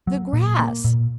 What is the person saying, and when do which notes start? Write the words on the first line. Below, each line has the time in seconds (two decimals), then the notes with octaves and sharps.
"The grass."
0.07 F#3
0.33 A#2
0.59 A#3
0.84 A#2